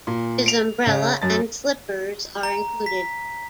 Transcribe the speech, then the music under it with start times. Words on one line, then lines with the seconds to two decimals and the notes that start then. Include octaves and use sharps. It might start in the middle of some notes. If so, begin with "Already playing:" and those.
His umbrella and slippers are included.
0.07 A#2
0.46 D7 F7
0.87 C#3
1.22 F#2 A6
2.43 A#5
2.86 B6